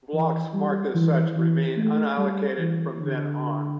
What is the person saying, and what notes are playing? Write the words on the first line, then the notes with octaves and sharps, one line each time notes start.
Blocks marked as such remain unallocated from then on.
E3
G3
E3
E3
A3
G3
E3
D3